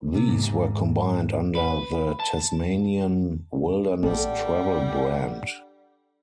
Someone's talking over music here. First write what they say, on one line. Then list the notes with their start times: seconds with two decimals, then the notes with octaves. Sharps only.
These were combined under the Tasmanian Wilderness Travel brand.
0.15 C3
0.29 G#2
1.55 B4
2.20 A5
4.03 A1 G3 D4 A4 D5 F#5